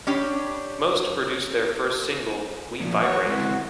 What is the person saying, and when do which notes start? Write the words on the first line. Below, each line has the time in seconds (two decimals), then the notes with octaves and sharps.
Most produced their first single, "We Vibrate".
0.07 C#4 D4 G4
2.80 F3 A#3
3.03 F#4 C#5
3.27 G#3 C4 E4